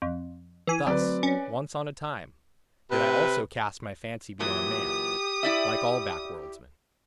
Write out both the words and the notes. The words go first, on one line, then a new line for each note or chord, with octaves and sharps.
Thus, once on a time, did I also cast my fancy beyond man, like all backworldsmen.
F2
E3 G#5
D2 F#3 C4 B4 D5
C#4
C3 B4
A#2 E3 F#3 G4 D#6
E4 D5 E5